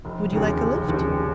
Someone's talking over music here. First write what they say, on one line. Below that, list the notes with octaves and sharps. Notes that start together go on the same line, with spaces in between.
Would you like a lift?
F1
D#2 C#3
F1
D#2 C#3